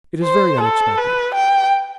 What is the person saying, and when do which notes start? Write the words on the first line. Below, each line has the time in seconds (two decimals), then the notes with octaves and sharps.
It is very unexpected.
0.23 C5
0.61 A4
0.97 B4
1.35 G5